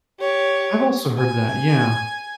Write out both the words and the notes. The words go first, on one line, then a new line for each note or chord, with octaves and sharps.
I've also heard that, yeah.
G4 C#5
G#5